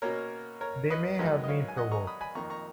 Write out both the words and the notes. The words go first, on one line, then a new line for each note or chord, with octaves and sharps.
They may have been provoked.
B2 A#3 C#4 A#4 C#5
A#4 C#5
B4 D#5
F#2 D#3 G#3 D#4
D#5
C#5 F5
G#5
D#5 F#5
A#5 C#6
B5 D#6
G#5 B5
F2 D#3 A#3 A#5 C#6
A#5 C#6